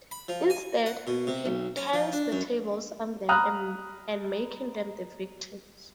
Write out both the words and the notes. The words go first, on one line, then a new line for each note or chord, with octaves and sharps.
Instead, he turns the tables on them and making them the victims.
B5
F3
G#5
F#5
B2
C3
B1
C#4
F3
D4
F#2
A#5 B5 D#6 F6 F#6